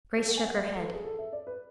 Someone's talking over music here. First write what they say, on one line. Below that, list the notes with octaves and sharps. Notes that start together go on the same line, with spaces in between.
Grace shook her head.
A4
F#5
G#5
E5
F#5
E5
D5
A4
B4
G#4
A4
E5
D5
B4